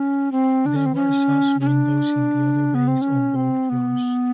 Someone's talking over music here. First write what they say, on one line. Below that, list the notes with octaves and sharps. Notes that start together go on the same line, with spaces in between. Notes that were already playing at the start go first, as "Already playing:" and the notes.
There were sash windows in the other bays on both floors.
Already playing: C#4
C4
D4
C#4
C4
C#4
C#4
D4
B3
C4
C#4
C4
B3